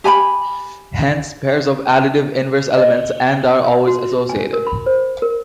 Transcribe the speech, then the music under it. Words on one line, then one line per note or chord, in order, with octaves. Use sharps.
Hence, pairs of additive inverse elements and are always associated.
G4 G#5 A#5 B5
D#5
F#4
G#5
A#4
B5
C5
A#4